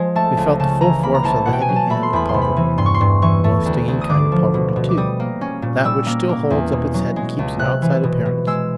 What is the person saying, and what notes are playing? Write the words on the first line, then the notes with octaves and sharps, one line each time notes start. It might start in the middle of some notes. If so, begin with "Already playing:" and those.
We felt the full force of the heavy hand of poverty--the most stinging kind of poverty too, that which still holds up its head and keeps an outside appearance.
Already playing: F3 G#3
A3 A5
C#2
C#3 A5
E3 A#5
A#3 B5
A#5
C2 A5
B2 F#5
G5
G#5
F#3
A5
A3 B5
C6
E2 B5
C6
C3
B5
E3
G2 C6
C#6
C6
G2
E3 C#6
A3
D2
D2
D#6
D3 D6
F3
B2
B2
D6
G3 D#6
A#3
C#4
A#2
G3 E6
A#3
A#3
E2
B2
F#3
G#3
C#2
C3 F#6
E3
B2
B2
G#3 E6